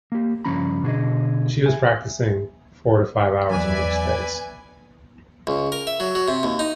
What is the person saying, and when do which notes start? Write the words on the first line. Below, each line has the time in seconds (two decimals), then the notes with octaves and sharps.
She was practicing four to five hours on most days.
0.12 A#3 G4
0.45 G2 C#3 F3 C#4 A#5 B5
0.83 B2 D3 G#4 D#5
1.66 E5 G#5
3.50 E2 F#3 B4 D5 E5 G#5
5.47 C#2
5.72 A#4
5.87 E5
6.00 F#3
6.15 F#3
6.28 C3
6.43 D#2
6.59 D#4